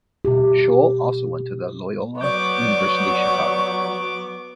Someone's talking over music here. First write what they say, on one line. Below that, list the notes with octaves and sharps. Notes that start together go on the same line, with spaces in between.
Scholl also went to the Loyola University Chicago.
B2 G4
F#3 B3 D5 C#6 D6 G6